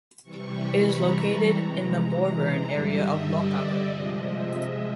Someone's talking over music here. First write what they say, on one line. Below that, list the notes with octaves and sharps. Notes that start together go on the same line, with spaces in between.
It is located in the Morvern area of Lochaber.
C3 E3 G3 C#6
B5
A#5
A5
C3 E3 G#3 A#5
G2 D3 G3 E5
D#5
D5
C3 F3 G#3 D#5
E5
E5